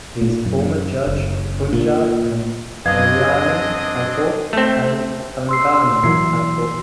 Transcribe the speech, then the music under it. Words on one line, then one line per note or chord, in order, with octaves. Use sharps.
He is former Judge of Punjab and Haryana High Court and Telangana High Court.
A#2
F#2
F#1
A#2
F#2 C4 D4 G#4 B4 D#5 F5 G#6
A3 C4
C6 E6 C7
C6
A#2 E3 F#3 C7